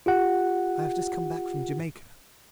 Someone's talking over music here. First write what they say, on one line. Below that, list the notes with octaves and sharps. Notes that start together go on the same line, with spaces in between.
I have just come back from Jamaica.
F4 G4 F#5